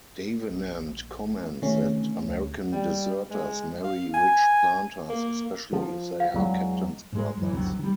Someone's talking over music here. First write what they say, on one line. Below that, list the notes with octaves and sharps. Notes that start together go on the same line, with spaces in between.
Davenant comments that American deserters marry rich planters, especially if they are captain's brothers.
A#1
C3 D#3 A3 C#4
D2
G3
G#3
F5
G#5
A#3
F3
F5
E2 F#3 G#3
G#2 G#3
F#2 E3
G1 D2 C3 F#3
D#3 G3